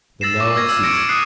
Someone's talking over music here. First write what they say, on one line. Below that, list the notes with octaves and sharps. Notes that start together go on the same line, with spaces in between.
The knell ceased.
E6 A6 A#6 C7 E7
C#6 D6 C7
C#6 E6 F6 G#6 A#6
E6
C#6 D6 G#6 A#6 C#7 D7
D#6 E6 F#6 C7 D#7